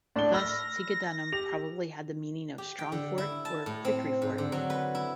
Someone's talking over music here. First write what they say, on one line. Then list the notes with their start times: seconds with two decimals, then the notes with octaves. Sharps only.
Thus "Segedunum" probably had the meaning of "strong fort" or "victory fort".
0.16 A2 D4 G7
0.34 B5 E6 F6 A#6
1.32 G4 F7
2.58 G4
2.79 G5
2.92 D3
3.18 E4
3.45 A5
3.66 A2
3.85 C4
4.22 G#2
4.38 D3
4.52 F#3
4.70 B4
4.95 E4